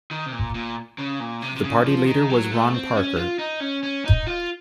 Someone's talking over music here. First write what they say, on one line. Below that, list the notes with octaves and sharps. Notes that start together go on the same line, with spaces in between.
The party leader was Ron Parker.
D#3
C3
A#2
A#2
C#3
A#2
C3
C3
C#3
F3
D#3
F#3
A3
C4
C#4
F4
D#4
C#4
C#4
D#4
F4